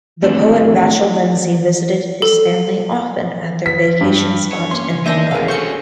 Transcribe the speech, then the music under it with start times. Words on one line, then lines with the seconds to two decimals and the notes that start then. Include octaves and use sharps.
The poet Vachel Lindsay visited his family often at their vacation spot in Empire.
0.22 A3 C4 D4 E4 G4
2.22 A4
3.66 B6
4.01 G2
4.52 C#5
4.71 A#3 C#4 C6
4.90 B1 C#3
5.06 D#2 A#3 D4 D#5 E5 G#5 G6 A#6
5.31 C2 C3 C#4 G#4 A#4 F5
5.48 D4 F#4 A4 C5 C#6 G6 C#7